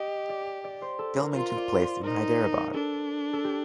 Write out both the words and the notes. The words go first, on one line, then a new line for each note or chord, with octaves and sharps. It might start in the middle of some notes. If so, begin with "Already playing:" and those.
Filming took place in Hyderabad.
Already playing: G4 D#5
D5
D5
C5
A4
A#4
F4 C5
D5
C5
D#4 A#4
D4 A4
A4
G4